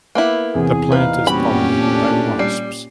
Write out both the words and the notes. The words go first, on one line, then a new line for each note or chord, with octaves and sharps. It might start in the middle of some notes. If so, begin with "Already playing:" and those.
The plant is pollinated by wasps.
A#3 B3 E4
E2 C3 G#4
A#2 D#4 B4 F5
A#2 G3 B3 C#4 F#4 G4 B5
A2 D4
G3 C7